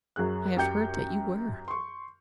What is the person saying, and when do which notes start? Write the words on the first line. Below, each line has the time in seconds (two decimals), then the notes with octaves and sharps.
I have heard that you were.
0.16 F#2 F#3 G#4 F#6
0.57 F#2 G4 G5 G6 C#7
1.68 C6 C#6